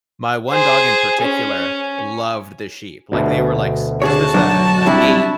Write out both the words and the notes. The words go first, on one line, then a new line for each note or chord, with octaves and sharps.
my one dog in particular loved the sheep. Like, they were, like s 'cause there's, uh, a gate
G#4 C5
C#4
D2 B2
D3 F#4 G#4 C#5 A5
F#3 D4 C#5
C3 G3 D4 E4